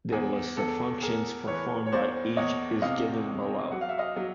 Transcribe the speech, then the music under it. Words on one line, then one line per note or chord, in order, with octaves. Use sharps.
The list of functions performed by each is given below.
E2 G#4
E2 A4
E2 G#4 A#4
E3 B4 C#5
C#5
E2 C5 D5
E2 C#5 D#5
C3 D#5 F5
E2
F#3 F#5
F5
E5
D#5 F5
F#3